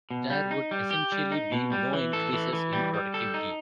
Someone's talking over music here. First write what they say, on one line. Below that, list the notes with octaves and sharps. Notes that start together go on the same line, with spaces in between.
There would essentially be no increases in productivity.
B2
G3
D#4
G3
G4
G3
D#4
B2
G3
E3
A4
E3
E3
G3
G3
A4
D#4